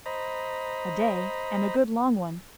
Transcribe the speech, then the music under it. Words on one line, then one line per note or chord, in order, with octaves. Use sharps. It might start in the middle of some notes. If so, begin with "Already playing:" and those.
"A day, and a good long one."
C5 D#5 A#5 B5